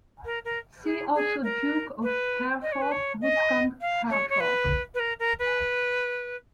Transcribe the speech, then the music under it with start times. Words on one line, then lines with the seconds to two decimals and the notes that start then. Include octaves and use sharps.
See also Duke of Hereford, Viscount Hereford.
0.25 A#4
0.44 A#4
0.84 G#4
1.14 G#4
1.43 A#4
2.03 B4
2.62 D#5
2.72 C#5
2.81 B4
2.91 C#5
3.21 D#5
3.81 F5
4.10 C#5
4.29 C#5
4.40 B4
4.94 B4
4.99 A#4
5.19 A#4
5.39 B4